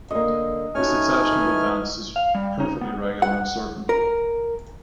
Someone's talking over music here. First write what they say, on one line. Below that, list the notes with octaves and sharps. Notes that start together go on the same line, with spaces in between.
The succession of events is perfectly regular and certain.
D3 A#3 D#5
A3 C#4 D#4 F#4 G#5 F6
E3
F5
G3
D#4
B3
F#5
A#4